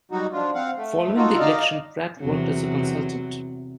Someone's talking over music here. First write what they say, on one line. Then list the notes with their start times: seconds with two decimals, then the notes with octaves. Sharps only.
Following the election, Pratt worked as a consultant.
0.12 F#3 G3 D#4 F#4
0.33 F3 D4 F4
0.54 C4 F5 F#5
0.77 A3
1.17 D#4 F4 F#4 A4
1.39 D#4 D5 D#5 F5
2.20 E2 C3 F#3